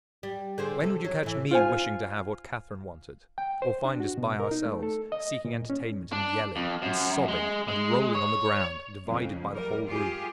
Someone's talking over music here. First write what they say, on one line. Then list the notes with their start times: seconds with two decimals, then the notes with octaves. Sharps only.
When would you catch me wishing to have what Catherine wanted? or find us by ourselves, seeking entertainment in yelling, and sobbing, and rolling on the ground, divided by the whole room?
0.23 G3
0.58 D3 G#4 C5
0.80 C3 A4
1.05 F#3
1.23 A2 E3
1.51 F4 C5 G#5
3.38 G5
3.62 C5
3.85 D4
4.00 F#4
4.18 B2
4.40 A#4
4.51 D#4
4.66 A3
4.83 A4
5.12 D#5
5.45 A#2
5.70 C#4
6.12 D4
6.56 F2
6.82 F#2
7.28 G#3
7.68 G#3
8.15 C#5
9.06 F2 C#3
9.50 G3 A#4
9.86 F4 G4 G#4